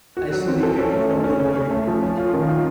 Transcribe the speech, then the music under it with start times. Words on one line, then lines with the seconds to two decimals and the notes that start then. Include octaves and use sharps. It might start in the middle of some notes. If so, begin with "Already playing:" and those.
"Isolated From The World".
0.17 F#4
0.32 F#3
0.47 C4
0.63 A4
0.78 C#4
0.93 A3
1.09 C#4
1.24 C#4
1.40 C#4
1.55 C#4
1.70 A3
1.87 F3
2.03 C#4
2.17 F4
2.34 D#3
2.49 F4